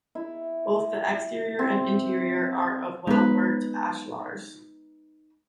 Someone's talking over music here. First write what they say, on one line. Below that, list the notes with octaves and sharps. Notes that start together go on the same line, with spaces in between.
Both the exterior and interior are of well-worked ashlars.
E4
C4
G#3 A3 B3 D#4 B4